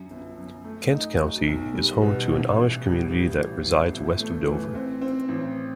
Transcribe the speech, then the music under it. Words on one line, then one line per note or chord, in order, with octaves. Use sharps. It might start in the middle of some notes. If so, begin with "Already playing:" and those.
Kent County is home to an Amish community that resides west of Dover.
Already playing: F#2 F#3
G1
F#2
A3
D#4
F#4
B1
G3
B2
A1
A1
G3
A1
A1
A1
G1
A3
E3
C4
C4
A1